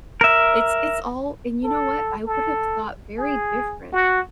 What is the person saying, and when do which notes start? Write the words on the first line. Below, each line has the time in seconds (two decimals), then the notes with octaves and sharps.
It's it's all and, you know what? I would have thought very different,
0.21 A#4 E5
1.63 A4
2.27 A4
3.18 G#4
3.93 F#4